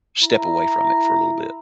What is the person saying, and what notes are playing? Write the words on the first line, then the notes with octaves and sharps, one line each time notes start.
step away from it for a little bit.
E4 A#5